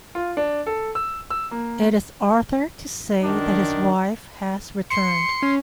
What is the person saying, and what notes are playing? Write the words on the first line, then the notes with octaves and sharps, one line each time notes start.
It is Arthur to say that his wife has returned.
F4
D4
A4
E6
E6
A#3
F#2 D#3 D4
C6 C#7
C#4